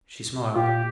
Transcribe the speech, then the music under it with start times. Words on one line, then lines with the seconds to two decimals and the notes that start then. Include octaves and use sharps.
She smiled.
0.56 A#2 F4 G4